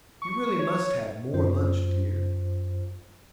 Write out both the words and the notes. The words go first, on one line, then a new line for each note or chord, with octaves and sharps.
'You really must have more lunch, dear.
C#6
C#5
F#2 F4 C5